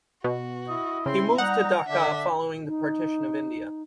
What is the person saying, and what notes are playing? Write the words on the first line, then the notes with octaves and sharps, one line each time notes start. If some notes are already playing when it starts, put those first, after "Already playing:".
He moved to Dhaka following the Partition of India.
B2 F#4
E4 D#5
C#3 C4 C6
G3 D#4 F#5 A#5
D3 D4 E5
D#4